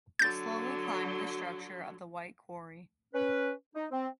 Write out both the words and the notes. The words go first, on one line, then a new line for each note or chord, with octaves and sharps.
Slowly climbed the structure of the white quarry.
D3 F#3 G6 A6
C#4 B4
D#4
C4